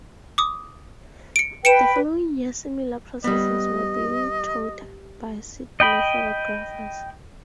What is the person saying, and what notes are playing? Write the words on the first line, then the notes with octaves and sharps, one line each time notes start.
The following year similar processes were being touted by Sydney photographers.
D6 D#6
C#7 D7
B4 G5 C#7 D7 E7
G3 B3 D#5
D#5 G5 B5